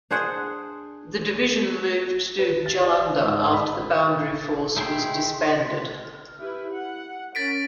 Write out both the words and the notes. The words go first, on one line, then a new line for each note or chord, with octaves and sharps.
The Division moved to Jullunder after the Boundary Force was disbanded.
D4 G#4 C5 F#5
B4
A6
D5
G#2
B5
D#4 E4 G#4 G5 C6
E4 G4 B4
F#5
C#4 A#4 A6 B6 D7